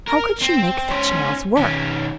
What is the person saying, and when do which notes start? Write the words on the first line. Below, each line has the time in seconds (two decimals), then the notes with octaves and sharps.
How could she make such nails work?
0.07 A#4
0.41 C4
0.89 C#4 C5
1.57 D#3 C#4